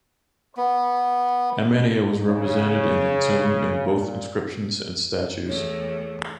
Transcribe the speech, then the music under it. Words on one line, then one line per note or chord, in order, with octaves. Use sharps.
Amenia was represented in the tomb in both inscriptions and statues.
B3
C#3
A#2
E2 A3 C#5